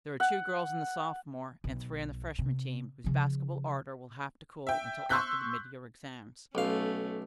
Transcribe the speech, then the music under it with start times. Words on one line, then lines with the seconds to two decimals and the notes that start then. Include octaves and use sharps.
"There are two girls on the sophomore and three on the freshman team whose basketball ardor will have to cool until after the mid-year exams."
0.20 F#5
1.64 B1
2.39 C3
3.04 C#3 F3
4.67 E5 G5
5.09 C6 C#6 E6 F#6 G6 B6
6.55 B1 A3 C#4 F5